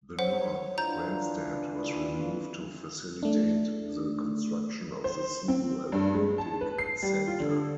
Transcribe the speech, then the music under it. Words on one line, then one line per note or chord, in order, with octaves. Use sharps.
The north grandstand was removed to facilitate the construction of the Sebo Athletic Center.
C5 C#5 F#5
E3 D4 F4 A#5 G6
A3 D4
C5
C4
G2
G#3
A5
B4
C7
G3
F4
D3